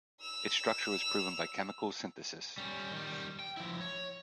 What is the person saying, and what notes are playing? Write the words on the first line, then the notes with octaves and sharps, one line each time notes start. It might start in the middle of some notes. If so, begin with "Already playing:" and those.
Its structure was proven by chemical synthesis.
E6 F7
G3 C#4
D#3 G3
G5
F3 E4
C#5